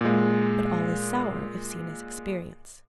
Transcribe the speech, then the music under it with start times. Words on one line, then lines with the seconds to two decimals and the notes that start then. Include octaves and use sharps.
But all is sour, if seen as experience.
0.01 A#2 G#3